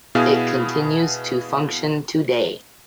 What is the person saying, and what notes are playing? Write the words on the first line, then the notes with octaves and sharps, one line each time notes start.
It continues to function today.
B2 B3 E4 G#4 F5